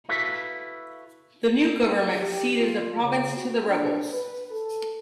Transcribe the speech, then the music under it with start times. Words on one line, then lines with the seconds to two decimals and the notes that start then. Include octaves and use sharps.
The new government ceded the province to the rebels.
0.09 E4 F#4 A4 B4 E5 F5
2.19 G4
2.59 F4
3.03 C#3
3.36 F#4
3.67 D4
4.12 B4
4.51 A4